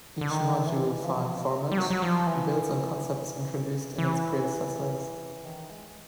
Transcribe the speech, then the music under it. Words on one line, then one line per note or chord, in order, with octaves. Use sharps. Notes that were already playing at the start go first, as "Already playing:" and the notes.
Each module file format builds on concepts introduced in its predecessors.
D3
D#3
E3
F3
G3
F#3
F#3
F3
E3
E3
D#3
G#3